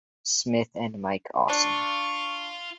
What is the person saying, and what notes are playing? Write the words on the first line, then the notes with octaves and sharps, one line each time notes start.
Smith and Mike Awesome.
D4 F4 C#6